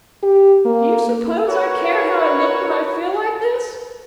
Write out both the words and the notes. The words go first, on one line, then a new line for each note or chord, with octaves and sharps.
"Do you suppose I care how I look when I feel like this?"
G4
A#3
F#4 A#4 B4 C#5